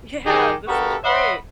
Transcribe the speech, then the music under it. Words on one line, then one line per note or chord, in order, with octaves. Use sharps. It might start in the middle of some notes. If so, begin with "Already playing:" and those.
Yeah, this was great
D#3 G4 G#4
G2 B3 F#4 G4 A4 A#4
C#5 D#5 E5 F#5 B5 C6